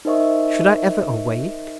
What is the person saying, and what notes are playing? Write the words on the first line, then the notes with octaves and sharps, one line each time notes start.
Should I ever awake?
D#4 A#4 C5 D#5 E5 C#6